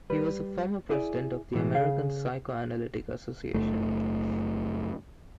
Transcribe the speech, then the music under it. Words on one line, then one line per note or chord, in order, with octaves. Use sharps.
He was a former President of the American Psychoanalytic Association.
G3 B4
E4 G#4 D5
A2 E3 F#3 G#3
C#3 G#4 F5
F#1 A3